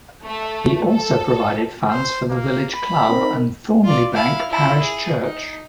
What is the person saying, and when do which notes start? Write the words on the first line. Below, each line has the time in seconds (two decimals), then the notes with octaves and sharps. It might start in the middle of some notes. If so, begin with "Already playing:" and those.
He also provided funds for the village club and Thornliebank Parish Church.
0.23 A3
0.90 A4
1.89 C5
2.29 A#3
2.75 B5
3.09 C4 D#4 A#4
3.84 F4 D5
4.14 E4 F5
4.50 E4 F4
4.82 G#4
5.21 D#4